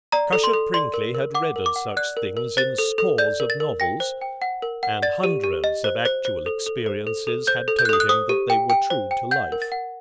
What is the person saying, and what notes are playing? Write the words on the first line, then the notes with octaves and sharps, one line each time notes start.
Cushat-Prinkly had read of such things in scores of novels, and hundreds of actual experiences had told him that they were true to life.
D5 A#5
A4
C6
A4
D5 C6
A#4
A#4
F#5 D6
A#4
D6
F#5
D5 F#6
A#4
A#4
C5 A6
A4
A4
D5 G6
A#4
A6
A#4
G5 A#6
C5
G5
F#5
A#4
F#5
D5 A6
G4
G4
D#5
C5
C5
C5
A4
A4
C5
A4
A4
C5 G6
A4
G6
F#6
A4 D#6
F#6
C5 D#6
G4
G5
G5
C5
G5
F#5 G6
A#4
A6
F#5